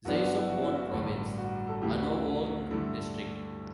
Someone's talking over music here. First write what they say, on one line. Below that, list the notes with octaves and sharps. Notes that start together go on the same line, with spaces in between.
Xaisomboun Province, Anouvong District.
G1 F#2 E3 B3 D4 F#4
F#4
E4
F#4
E4
F#4
A1 G2 D3 G3
F#4
A4
D2 C#3 E3 A3 G4
F#4
E4
G2 D3 A3 E4